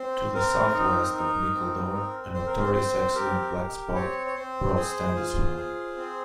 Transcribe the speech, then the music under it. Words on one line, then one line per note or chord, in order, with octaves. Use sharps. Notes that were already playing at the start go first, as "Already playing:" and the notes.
To the south-west of Mickledore, a notorious accident blackspot, Broad Stand is found.
Already playing: C4 C5
C4 A#4
D#4
D#4
C4
C4
C4 C5
A#4
C5
C4 C5
G4 A#4
G4
C4 C#5
C#5
C4 C5
G#4 C5
F4
G#4
C4